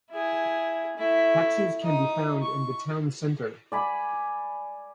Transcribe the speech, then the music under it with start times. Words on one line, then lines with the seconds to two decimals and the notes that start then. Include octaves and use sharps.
Taxis can be found in the town centre.
0.11 E4 G#4
0.97 A3 E4
1.83 D#4 D#6
2.42 C#6
3.72 D5 G#5 B5